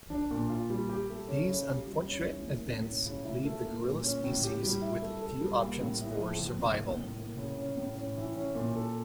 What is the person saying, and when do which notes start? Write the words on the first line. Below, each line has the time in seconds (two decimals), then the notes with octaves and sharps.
These unfortunate events leave the gorilla species with few options for survival.
0.10 D4
0.31 A#2
0.49 F4
0.70 G3
0.89 G4
1.09 A3
1.28 C#4
1.48 C#3
1.68 G4
1.87 G3
2.08 C#4
2.27 E3
2.47 A#3
2.66 A2
2.85 C#4
3.05 C#3
3.24 E4
3.45 A3
3.64 A#3
3.84 A#2
4.03 C#4
4.24 A2
4.43 G4
4.63 G3
4.82 E4
5.02 A3
5.21 A4
5.41 G3
5.61 A#3
5.81 A2
6.01 E4
6.19 F3
6.40 A#3
6.59 A2
6.79 A#3
6.98 A2
7.18 A#3
7.37 C#3
7.57 C#4
7.77 A2
7.96 C#4
8.17 E3
8.35 C#4
8.55 A#2
8.75 A4